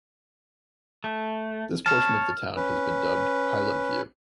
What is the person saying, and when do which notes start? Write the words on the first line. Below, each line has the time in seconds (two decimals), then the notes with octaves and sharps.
This portion of the town has been dubbed "Highland View".
1.04 A3
1.86 C#5 A5 F6
2.56 C#4 B4